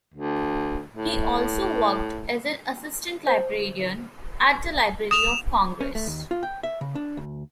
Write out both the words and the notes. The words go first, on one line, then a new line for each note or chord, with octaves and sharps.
He also worked as an assistant librarian at the Library of Congress.
D2
A2
C5
D#6 E7 F7
C#4
A3
D#2
F4
G5
E5
C#3
D4
D2